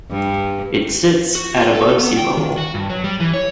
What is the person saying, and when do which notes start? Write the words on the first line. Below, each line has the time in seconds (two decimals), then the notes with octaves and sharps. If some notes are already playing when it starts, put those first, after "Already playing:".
It sits at above sea level.
0.11 G2
1.35 F#4
1.57 F4
1.75 A4
1.99 B3
2.17 G5
2.37 D#3
2.58 F#4
2.74 G2
2.90 F#3
3.04 G3
3.20 E3
3.34 C#5